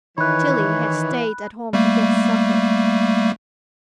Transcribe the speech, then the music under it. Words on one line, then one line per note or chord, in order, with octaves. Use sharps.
Tillie had stayed at home to get supper.
D#3 E3 C#5 B5 F#6
G3 A3 A#3